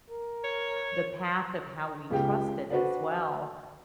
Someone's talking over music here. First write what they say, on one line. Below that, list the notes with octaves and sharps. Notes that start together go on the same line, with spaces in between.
the path of how we trust it as well.
A#4
C#5
C#2 C#3 G4 G5
D4 F#4 B4 C5 D5